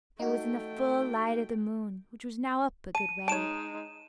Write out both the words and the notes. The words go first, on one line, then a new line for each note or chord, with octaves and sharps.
It was in the full light of the moon, which was now up a good way.
A3 D#4 F#4 G5
A5 D#7
G#3 D#4 C#5 A5 D7 E7